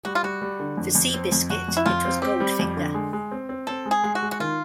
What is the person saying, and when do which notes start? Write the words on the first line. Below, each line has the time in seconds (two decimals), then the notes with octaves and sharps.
For "Seabiscuit" it was "Goldfinger".
0.05 G3 F#4
0.15 F4
0.23 G3 F#4
0.42 G3
0.60 D3
0.77 F2
0.95 F2
1.14 C4
1.32 F2
1.50 F2 F#4
1.68 F2
1.77 E4
1.86 F2 F4
2.05 C4
2.22 C4 G4
2.40 G3
2.59 F2
2.77 D3
2.94 G#3
3.13 G#3
3.31 C4
3.49 C4
3.67 C4 A4
3.85 G#3
3.91 G#4
4.04 G#3
4.15 F#4
4.22 G#3
4.31 F#4
4.40 D#3 F4